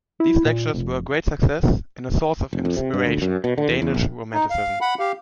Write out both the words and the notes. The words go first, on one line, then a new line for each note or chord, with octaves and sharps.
These lectures were a great success and a source of inspiration in Danish romanticism.
E4
A#2
F1
F1
F2
C3
G2
D2
F#2
B2
D3
E2
E2
A#1
D#4
F5
F#5 B5
G4 F5